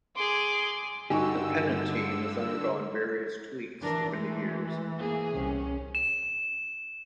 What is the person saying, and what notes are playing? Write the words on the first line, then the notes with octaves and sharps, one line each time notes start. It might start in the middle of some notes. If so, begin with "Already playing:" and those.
The pennant team has undergone various tweaks over the years.
G#4 C6 D6
G2 D3 D#4 F#4 G4 G#5 E6
E3 D4 A#4
G#3 A3
A#3 G#4
C2 C3 C#4
E7